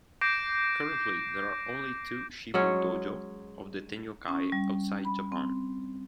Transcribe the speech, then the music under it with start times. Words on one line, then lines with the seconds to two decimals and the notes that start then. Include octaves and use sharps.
Currently there are only two shibu dojo of the Tenyokai outside Japan.
0.21 D6 G6 A#6 C7 D7 E7
2.54 F#3 G#3 C#4
4.28 C#4
4.52 G3
5.05 B5
5.32 C4